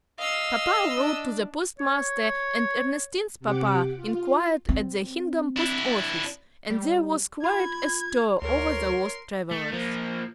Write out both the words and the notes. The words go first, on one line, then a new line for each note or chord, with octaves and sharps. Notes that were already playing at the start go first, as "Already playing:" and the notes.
Papa wrote to the postmaster, and Ernestine's papa inquired at the Hingham post-office, and there was quite a stir over the lost travellers.
D#5 F5 E6
D4
C#5
C3 G4 F#5 D6
F4
C4
D4 E4
G3
F4 B5 G#6
D2 A#4 C#5 C6
A3
F3 A#3